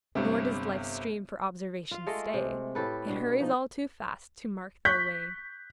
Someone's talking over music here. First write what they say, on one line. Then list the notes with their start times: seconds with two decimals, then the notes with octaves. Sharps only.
Nor does life's stream for observation stay; It hurries all too fast to mark their way.
0.15 G1 G2 C3
1.91 F4 F5
2.07 G#3 A3 A4 D#5
2.34 C3
2.75 A2 G4 A4 B4
3.08 B2 D4
3.40 F3 D#4
4.85 C#6 F#6 G6 B6